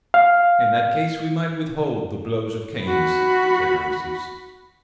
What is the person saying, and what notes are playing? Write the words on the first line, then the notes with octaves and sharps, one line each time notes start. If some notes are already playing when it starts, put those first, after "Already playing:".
"In that case we might withhold the blows of canes," said Rameses.
F5
F#4 B5